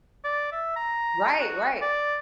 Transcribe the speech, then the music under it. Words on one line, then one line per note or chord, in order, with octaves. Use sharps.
Right, right.
D5
E5
A#5
F#4
D5